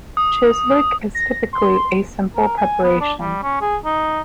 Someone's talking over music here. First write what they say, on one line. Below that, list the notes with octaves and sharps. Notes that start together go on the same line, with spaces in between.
Chislic is typically a simple preparation.
D#6
A#6
C6
A#4
G#5
B3
D4
G3
C#4
G#4
D#4